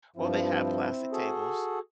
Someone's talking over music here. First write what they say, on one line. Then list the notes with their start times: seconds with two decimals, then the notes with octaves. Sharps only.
Well, they have plastic tables,
0.16 G2 F3 C4 E4
1.12 F#4 G#4 A4